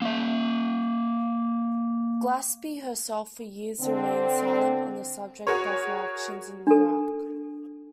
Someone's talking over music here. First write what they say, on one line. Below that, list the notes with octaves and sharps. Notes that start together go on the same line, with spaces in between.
Glaspie herself for years remained silent on the subject of her actions in Iraq.
A#3 E5
D3 C4
F#4 G#4 A#4 C#5
D4 A4